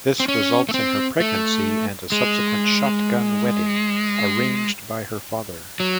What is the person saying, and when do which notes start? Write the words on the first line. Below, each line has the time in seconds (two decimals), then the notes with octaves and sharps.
This results in her pregnancy and a subsequent Shotgun wedding arranged by her father.
0.20 C4
0.28 C#4
0.69 A3
0.74 C4
1.20 A3
2.12 G#3
5.80 F#3